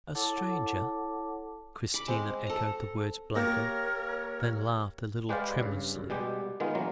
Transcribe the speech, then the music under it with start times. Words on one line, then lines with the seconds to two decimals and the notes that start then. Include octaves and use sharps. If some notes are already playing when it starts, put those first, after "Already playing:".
"A stranger?" Christina echoed the words blankly, then laughed a little tremulously.
0.15 E4 A4 C#5 F#5 A5 D6
1.94 B5 D6
2.08 G#3 C4
2.47 A4 A#5
3.36 A#3 G4 A#4 C#5 G5 A#6
5.29 G#3 G4 B4 C5 D5 F5
5.60 G2 C#3
5.96 F#2
6.10 B2 G3 G#3 G4
6.60 D#3 G#3 B3 F4
6.75 E3 F#3 A#3 C#4 A#4